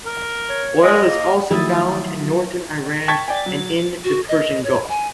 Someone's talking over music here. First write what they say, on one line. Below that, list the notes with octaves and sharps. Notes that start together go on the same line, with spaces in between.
Oil is also found in northern Iran and in the Persian Gulf.
A#4
C#5
G#3 D#5
A#3
D#3 F3 F#3 A3 E4 D#6 A6
G5 A5 C#6 G#6 A6 B6
D5 G5 G#5
F#3
F#4
D#5
C#5
G#5